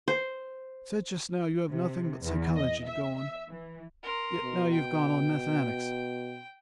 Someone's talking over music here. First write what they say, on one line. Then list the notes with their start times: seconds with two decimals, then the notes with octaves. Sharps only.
You said just now you have nothing but psychology to go on, yet now you've gone on mathematics.
0.08 C5
1.69 C3
2.22 E2
2.56 D#5
2.86 E5
3.16 E5
3.49 E3
4.04 A#4 C6
4.44 B2
4.73 G5